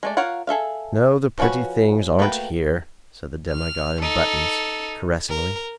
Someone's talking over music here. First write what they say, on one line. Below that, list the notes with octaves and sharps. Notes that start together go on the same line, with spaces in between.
"No, the pretty things aren't here," said the demi-god in buttons, caressingly.
G#3 A3 D5
F4 A#4 C#5 F5 F#5
G#4 A4 E5 F5
F3 C#4 F4 F#4 B4
A3 A#3 F#4 B4 G5
F6
D#4 A4
A#4